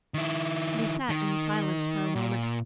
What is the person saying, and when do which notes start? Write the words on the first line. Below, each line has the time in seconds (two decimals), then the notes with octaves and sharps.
We sat in silence for a moment.
0.14 D#3 E4
1.09 D#3
2.16 A#2